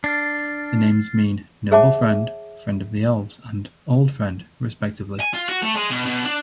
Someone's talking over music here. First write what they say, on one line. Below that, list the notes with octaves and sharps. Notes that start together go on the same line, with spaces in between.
The names mean "noble friend", "friend of the elves", and "old friend" respectively.
D4 F6 A6 C7
G#4 C#5 E5 F#5 A5 D6
G#5
F4
F#4
A3
G#3
B2
B2
D4